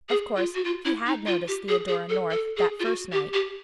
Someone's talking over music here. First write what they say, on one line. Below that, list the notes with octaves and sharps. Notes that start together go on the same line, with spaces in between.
Of course, he had noticed Theodora North that first night.
G#4
F4
F#4
F4
E4
D#4
F4
G4
G#4
G#4
A4
A4
G#4
F4
F#4
G4
G4